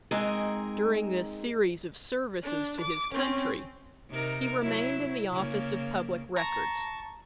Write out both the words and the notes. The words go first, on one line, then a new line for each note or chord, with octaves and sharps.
During this series of services to his country, he remained in the office of Public Records.
G#3 C4 D#4 G#4 A#4
D4
D6
C4 C#4
C3 D#4 A#4
F#3 E4
C#3 A#3
A5 A#5 C#6